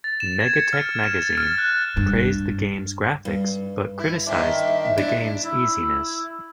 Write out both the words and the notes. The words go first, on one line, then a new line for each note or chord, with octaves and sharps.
"MegaTech" magazine praised the game's graphics, but criticized the game's easiness.
A6
E7
G#6
C#7
F6
E7
A6
F6
F#6
G2
G2
E4
D#3 C4 D4 E5
D4 E4
E4